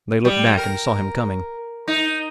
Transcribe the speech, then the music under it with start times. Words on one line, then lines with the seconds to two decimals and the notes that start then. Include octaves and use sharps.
They looked back and saw him coming.
0.25 G3
0.57 A#4
1.88 D#4